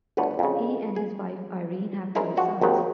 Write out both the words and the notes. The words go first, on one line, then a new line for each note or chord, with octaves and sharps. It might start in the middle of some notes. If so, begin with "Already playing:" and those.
He and his wife, Irene, have two sons.
G1 D2 D3 B4 C#5
F2 C#3
G#4
C#4 D#4 E4 G#4 A#4 C5
F3 D4 F#4
G#1 D#2 D#3 F#5